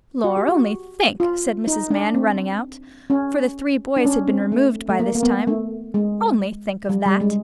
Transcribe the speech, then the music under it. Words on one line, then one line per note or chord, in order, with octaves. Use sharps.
'Lor, only think,' said Mrs. Mann, running out,--for the three boys had been removed by this time,--'only think of that!
F#4
G4
F#4
F4
D#4
D4
C4
C#4
D4
C#4
C4
A3
A3
A#3
A#3
B3
A3
G#3
G3
G3
G#3